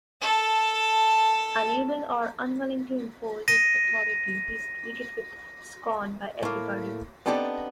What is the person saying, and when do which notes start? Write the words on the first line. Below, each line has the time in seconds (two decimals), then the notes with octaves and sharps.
Unable or unwilling to impose his authority, he is treated with scorn by everybody.
0.21 A4 A5
3.48 A#6 D#7
6.43 A2 A#3
7.26 B3 C4 D4 D#4 G4 A4